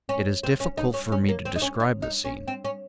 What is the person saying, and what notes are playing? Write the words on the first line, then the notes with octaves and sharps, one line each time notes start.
It is difficult for me to describe the scene.
C#4
C4
C#4
D#4
C#4
C#4
A#3
C4
D#4
C#4
D#4
D#4
C#4
C4
C#4